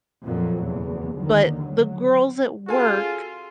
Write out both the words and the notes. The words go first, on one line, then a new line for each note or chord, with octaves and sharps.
But the girls at work
F2 A#2 F3 F#3
F#1 E2 B2
D#2 D3 D#3
F#3
C#4 F4 F#4 G#4 A4 G#5